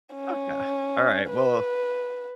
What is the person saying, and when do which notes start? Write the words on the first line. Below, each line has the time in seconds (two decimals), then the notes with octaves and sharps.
Okay. Alright, well
0.15 C#4
1.30 B4